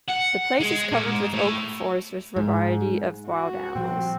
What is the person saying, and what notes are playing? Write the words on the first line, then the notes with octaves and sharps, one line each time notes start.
The place is covered with Oak forests with variety of wild animals.
F#5
G#3
A#2
G#2
A2
G#2
F#4
A#2 F3 G3 C4